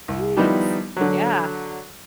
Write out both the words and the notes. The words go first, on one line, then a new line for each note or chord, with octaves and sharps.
Jeez, yeah.
C2
D#3 F3 G3 B3 D#4 E4
D3 F#3